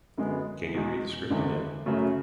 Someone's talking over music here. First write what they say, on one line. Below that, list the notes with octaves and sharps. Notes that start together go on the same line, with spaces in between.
Can you read the script again?
F#2 D3 G#3 B3
E2 B2 G#3
F#1 E2 D3 G#3
F#2 C#3 F#3 A3